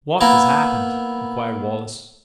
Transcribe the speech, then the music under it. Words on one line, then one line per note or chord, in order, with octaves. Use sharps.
"What has happened?" inquired Wallace.
A#3 B3 E4 A#4